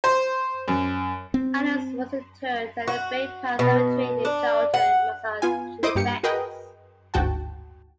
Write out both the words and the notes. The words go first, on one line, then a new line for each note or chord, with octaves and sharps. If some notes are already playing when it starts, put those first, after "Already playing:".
Adams was interred at the Bay Path Cemetery in Charlton, Massachusetts.
C5
F#2
C4
F#4
B2
D4
F#5
B3 F4 G#5
E4 C5 D#5 D6 D#6
G2 A#3 G4 C#7
F#4 G#4 A#4 B4 D#5 G5
G1 D2 G#2 F#4 G5 A5